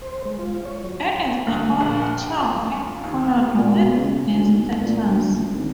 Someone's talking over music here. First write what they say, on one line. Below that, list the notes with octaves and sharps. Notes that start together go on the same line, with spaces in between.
It is the only tongue in Poland with this status.
C5
G#3
F4
C#5
F#3
D2
A#1
F#5
G5
F4
D#2
A#2
B2
C#3
D2
B1
E2
A#2
D2
F#1
G#1